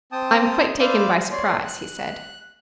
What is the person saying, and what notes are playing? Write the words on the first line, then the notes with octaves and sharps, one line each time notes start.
"I'm quite taken by surprise," he said.
C4 G5 A5 D#6
C5 D5 F5 B5 D6 E6
C#5 D5 C6
F#6